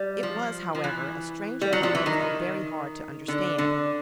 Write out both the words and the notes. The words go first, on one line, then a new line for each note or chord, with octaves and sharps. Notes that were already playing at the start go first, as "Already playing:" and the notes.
It was, however, a strange occurrence and very hard to understand.
Already playing: G3
F3
F3
E3
G3
F#3
F3
E3
D#3
D3
D3